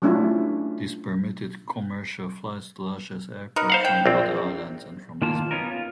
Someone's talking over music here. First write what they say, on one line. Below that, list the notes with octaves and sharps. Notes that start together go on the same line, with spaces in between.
This permitted commercial flights to Lajes Airport from other islands and from Lisbon.
F#3 A3 C#4 D4 E4 F4
D#4 A#4 B4
C5 F5 F#5
G5
A#1 C4
D#3 A#3 F4 A5
B3 C#4 D#4 F4 A#4
F4